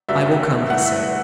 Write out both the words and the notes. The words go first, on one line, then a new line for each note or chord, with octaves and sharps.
"I will come," he said.
G2 D3 F#3 A3 E5
G2 E3 A3 F#5
E5